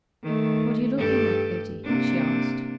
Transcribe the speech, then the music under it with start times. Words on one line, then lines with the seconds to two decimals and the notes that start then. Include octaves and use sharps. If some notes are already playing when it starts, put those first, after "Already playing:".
"What are you looking at, Betty?" she asked.
0.23 D#3 A3
0.98 G2 G4 A4
1.84 C3 A#3 D4